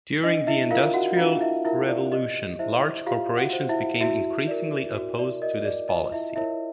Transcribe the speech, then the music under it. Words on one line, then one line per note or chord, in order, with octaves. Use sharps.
During the Industrial Revolution, large corporations became increasingly opposed to this policy.
D4 D#5
E4 E5
F4 A#4 F5
F#4 F#5
D4 F4 F5
E4 E5
E4 F4 A#4 E5
D5
G4 D#5
E4 C5 E5
F4 G4 F5
F#4 F#5
C5
E4 E5
E4 F#4 E5
A#4 D5
F#4
D5
A#4 D5 D#5
D5
F4 D#5
E4 E5
E4 A#4 C#5 E5